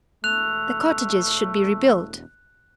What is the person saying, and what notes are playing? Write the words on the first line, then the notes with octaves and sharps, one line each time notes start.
The cottages should be rebuilt.
E1 A3 F#6 F7